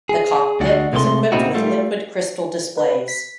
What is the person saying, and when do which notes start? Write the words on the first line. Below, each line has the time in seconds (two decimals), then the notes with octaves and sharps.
The cockpit is equipped with liquid crystal displays.
0.09 G#4
0.60 D2 D4 F#4
0.93 C3 G#3 A3 D5 C6
1.32 A#2 C#3 C4 D#4 E4 F#4
1.54 G3 A3 F4
2.77 B4
3.08 B6